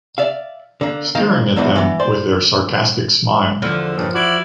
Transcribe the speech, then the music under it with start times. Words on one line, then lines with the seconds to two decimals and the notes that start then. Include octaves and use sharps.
Staring at them with their sarcastic smile.
0.18 D5 E5 F5
0.81 D3 A#3
1.15 D#3 A#3 F5
1.56 E2 G#2 E3 B3
1.76 E3 B3
1.99 C5 D5 C6
3.62 E2 D3 F3
3.97 G2 A#2 C#3
4.14 E4 F#4 D5